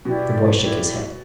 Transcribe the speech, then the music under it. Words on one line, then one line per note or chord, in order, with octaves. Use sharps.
The boy shook his head.
B2 E4 G4 D5
E4 G4 D5